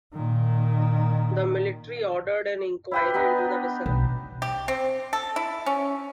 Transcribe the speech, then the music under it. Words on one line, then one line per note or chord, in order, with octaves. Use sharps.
The Military ordered an inquiry into the vessel.
A#2 D#3
E4 G4 B4
B3 D4 D#4
B1
G4
C4
A4
E4
C#4